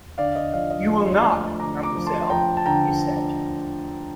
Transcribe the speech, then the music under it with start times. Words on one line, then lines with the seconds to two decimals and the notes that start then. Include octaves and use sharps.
"You will not, mademoiselle," he said.
0.18 D3 D5 F5
0.36 D#5
0.53 F3 D5 F5
0.71 D#5
0.89 F3
1.12 D5
1.24 A3
1.59 D3 A#5 D6
1.83 A#5 D6
1.95 F3
2.07 A5 C6
2.30 F3 G5 A#5
2.57 A5
2.66 D3 G5 A#5